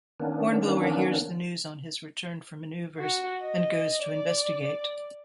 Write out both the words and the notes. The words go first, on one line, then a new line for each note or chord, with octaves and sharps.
Hornblower hears the news on his return from manoeuvres and goes to investigate.
D#3 A#3 B3 C#4 D4
F#4
D#5
D5